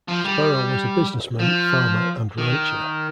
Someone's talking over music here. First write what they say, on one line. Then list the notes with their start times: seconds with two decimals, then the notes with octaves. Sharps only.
Sparrow was a businessman, farmer and rancher.
0.08 F3
0.25 G3
1.39 F3
2.38 D#3